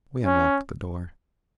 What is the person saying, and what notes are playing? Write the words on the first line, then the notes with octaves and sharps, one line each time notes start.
We unlocked the door.
C#4